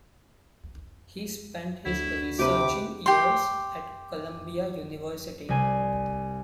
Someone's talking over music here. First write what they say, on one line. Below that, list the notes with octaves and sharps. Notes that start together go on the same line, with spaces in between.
He spent his researching years at Columbia University.
D2 D3 E4 F#4
C3 G4 B4 D6
G4 C6
C2 C5 G#5